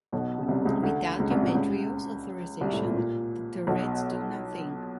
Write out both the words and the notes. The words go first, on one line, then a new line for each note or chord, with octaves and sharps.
Without Demetrio's authorization, the turrets do nothing.
B1 B2
C#3
C2 C3
C#2 C#3
D2 D3
C#2 C#3
C2 C3
A#2
C#2 C#3
C2 C3
A2
A#2
A#2
B1 B2